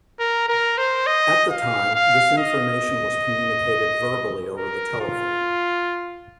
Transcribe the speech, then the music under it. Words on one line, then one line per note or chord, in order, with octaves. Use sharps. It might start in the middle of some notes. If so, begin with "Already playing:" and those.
At the time, this information was communicated verbally over the telephone.
A#4
A#4
C5
D#5
F5
F5
D#5
A#4
F4